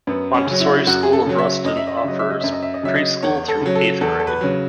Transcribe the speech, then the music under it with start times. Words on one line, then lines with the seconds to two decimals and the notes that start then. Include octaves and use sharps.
Montessori School of Ruston offers preschool through eighth grade.
0.07 F#2 B3
0.34 C#4
0.47 C#3 F#3
0.61 E4
0.87 F#2 F#4
1.03 G#4
1.13 A4
1.26 C#3 F#3
1.38 E5
1.65 F#2 D#5
1.77 E5
1.87 D#5
1.97 E5
2.04 C#3 F#3 D#5
2.19 E5
2.30 D#5
2.41 F#2 E5
2.52 D#5
2.62 E5
2.74 D#5
2.83 C#3 F#3 E5
2.95 D#5
3.23 E2 C#5
3.48 A4
3.61 C#3 F#3
3.75 A4
4.01 E2 A4
4.19 A4
4.27 B4
4.41 C#3 F#3